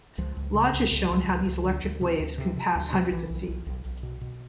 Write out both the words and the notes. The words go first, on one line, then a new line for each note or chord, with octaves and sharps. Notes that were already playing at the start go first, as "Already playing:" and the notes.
Lodge has shown how these electric waves can pass hundreds of feet.
C#2 F3
C#2
C#3
C#2
C#2
C#2
C#2
C#2
D2
D2
C3
D2
C3
C3
D2
C3
B1 E3
B1
B1
B1
B1
B2
B2